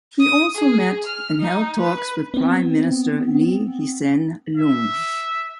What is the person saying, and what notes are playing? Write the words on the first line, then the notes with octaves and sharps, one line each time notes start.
He also met and held talks with Prime Minister Lee Hsien Loong.
D#6
G#4
F6
D#4
B4
B3 C4
E5